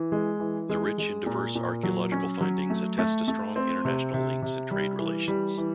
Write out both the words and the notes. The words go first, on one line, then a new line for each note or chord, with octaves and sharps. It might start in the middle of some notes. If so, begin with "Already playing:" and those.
The rich and diverse archaeological findings attest to strong international links and trade relations.
Already playing: E3
G#3
E3
G#3
G#3
A#2
A#2
F#3
C#4
F#3
A3
A3
A3
C4
C3
C3
C3
G3
E3
G3
E3